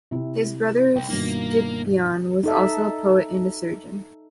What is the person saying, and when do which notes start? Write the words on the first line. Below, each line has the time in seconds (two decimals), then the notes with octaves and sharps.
His brother Scipion was also a poet and a surgeon.
0.11 C3 E4
0.96 C2 G5
1.09 G1 B2 D#3 A#3
2.43 D#4 A4 E5